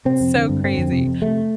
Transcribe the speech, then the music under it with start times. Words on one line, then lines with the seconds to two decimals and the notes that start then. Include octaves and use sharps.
It's so crazy.
0.05 C3 C4
0.20 F2
0.35 D3
0.49 G2
0.64 D3 C4
0.78 F2
0.92 C3
1.07 F2
1.21 C3 A3